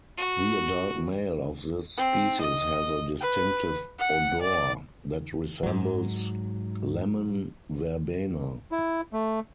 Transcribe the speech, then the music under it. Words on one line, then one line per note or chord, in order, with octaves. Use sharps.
The adult male of this species has a distinctive odour that resembles lemon verbena.
F#4
C4
D#5
B4
F#5
D5
G#2 F#3
E4
A3